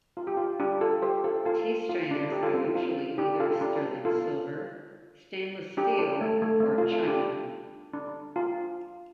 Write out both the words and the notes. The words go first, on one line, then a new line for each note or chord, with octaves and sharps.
Tea strainers are usually either sterling silver, stainless steel, or china.
F4
G4
F4
D4 G4
F4 A4
G4 C5
F4 A4
F4 A4
F4
D4
D4 G4
F4 A4
C4
C4
F4
D4 G4
F4 A4
D4 G4
F4 A4
D4 G4
D4
A3
A3
A3
C4
F4 A4
F4 A4
D4 G4
D4
F4